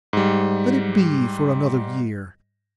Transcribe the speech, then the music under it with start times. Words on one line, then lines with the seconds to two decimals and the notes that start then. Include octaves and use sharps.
Let it be for another year.
0.13 G#2 G3